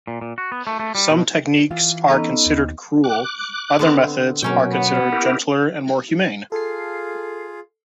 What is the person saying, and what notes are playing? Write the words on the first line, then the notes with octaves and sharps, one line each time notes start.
Some techniques are considered cruel, other methods are considered gentler and more humane.
A#2
A#2
F#4
B3
A3
A3
G3
B2
E3 F4
B3 C#4 D#4 A4 D#5 A#5
D#2
D6 F#6
D3 B3 C4
B2 F#3 A#3 C#4 G5
B3
E4 G4 A#4
F4 G#4 A4 F5 C7